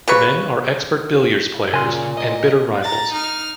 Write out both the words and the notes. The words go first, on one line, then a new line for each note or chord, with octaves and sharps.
The men are expert billiards players and bitter rivals.
C#3 B4 C#6
A#2 C#3 G#4 G#5 C6
D#5
A#5 A6
D#4 F6